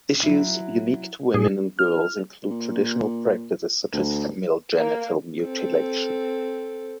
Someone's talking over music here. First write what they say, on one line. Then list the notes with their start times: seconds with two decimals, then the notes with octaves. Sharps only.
Issues unique to women and girls include traditional practices such as female genital mutilation.
0.23 F#3 E4
1.34 A2 G#4
1.79 F6
2.51 A#2
3.93 D2
4.76 A#3
5.41 C4 A4